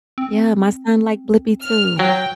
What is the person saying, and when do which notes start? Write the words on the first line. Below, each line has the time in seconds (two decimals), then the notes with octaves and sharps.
Yeah, my son like Blippi too.
0.18 C4
1.62 F6
1.99 F#3 G5